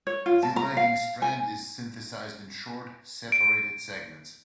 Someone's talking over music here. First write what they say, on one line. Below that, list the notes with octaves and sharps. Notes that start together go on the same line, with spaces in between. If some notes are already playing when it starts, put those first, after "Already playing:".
The lagging strand is synthesized in short, separated segments.
C#5
F4
A5
A#5
F5
G#5
D7